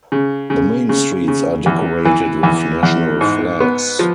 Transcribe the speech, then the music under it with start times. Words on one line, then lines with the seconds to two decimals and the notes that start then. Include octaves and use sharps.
The main streets are decorated with national flags.
0.12 C#3
0.50 C#3
0.89 C#3
1.28 C#3
1.66 E2
2.05 E3
2.43 E2
2.83 E2
3.21 G#2
3.60 B3
3.99 F3